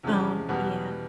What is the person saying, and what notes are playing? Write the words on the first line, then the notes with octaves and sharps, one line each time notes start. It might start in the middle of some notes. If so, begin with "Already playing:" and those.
Oh, yeah.
E2 C3 F3 G#3 C#4
E2 B2 G3 B3